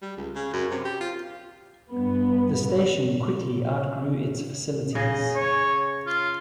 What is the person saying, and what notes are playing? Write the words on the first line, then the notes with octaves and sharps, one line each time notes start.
The station quickly outgrew its facilities.
G3
C#2
C#3
F#2
C3
G4
F4
G2 B3
C#3 G#4 D#5
C#5
F4